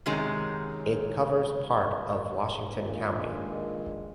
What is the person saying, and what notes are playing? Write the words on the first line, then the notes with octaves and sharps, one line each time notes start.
It covers part of Washington County.
F#2 C3 D#3 F#3 G#3 G#5
G2 A#2 D#3 F3 G#3